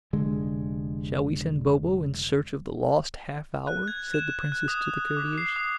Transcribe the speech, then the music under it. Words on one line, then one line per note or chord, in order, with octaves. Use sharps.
"Shall we send Bobo in search of the lost half-hour?" said the Princess to the courtiers.
F1 D3 G#3
F#6
G#6
E7
F#6
D#6
D6
C7
D#6